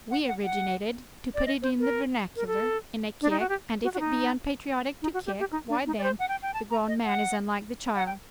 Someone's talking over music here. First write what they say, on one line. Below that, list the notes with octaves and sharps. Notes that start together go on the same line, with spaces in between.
We originated, to put it in the vernacular, in a kick, and if it be unpatriotic to kick, why then the grown man is unlike the child.
F#5
F#5
F#5
D5
D#5
C5
A#4
A#4
A4
D4
D#4
F#4
G4
F#4
F#4
D#4
D#4
F#4
G4
G4
D#4
D4
D#4
D5
C5
F#5
G5
G5
A5
A#5
D#5
F#5
F#5
G5